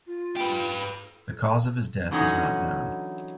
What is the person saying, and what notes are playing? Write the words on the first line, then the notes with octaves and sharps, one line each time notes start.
The cause of his death is not known.
F4
G4 B4
D3 E3 F#3 C#4 D#4